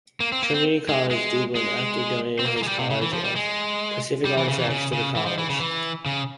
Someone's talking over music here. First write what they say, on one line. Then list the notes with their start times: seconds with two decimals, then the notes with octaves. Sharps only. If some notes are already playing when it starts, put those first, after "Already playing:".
Trinity College, Dublin, after donating his collection of Pacific Artifacts to the college.
0.20 A#3
0.32 C4
0.43 A#3
0.54 C4
0.89 G#3
1.11 G#3
1.55 G#3
2.39 C4
2.45 A#3
2.57 A#3
2.63 G#3
2.68 G3
2.79 C3
2.90 C#3
3.01 E3
3.13 F3
3.24 G3
3.36 G#3
4.25 G3
4.37 E3
4.48 C#3
4.58 E3
4.64 C3
4.70 C#3
4.93 C#3
5.16 E3
5.26 F3
5.38 E3
5.50 C#3
5.60 E3
6.06 C#3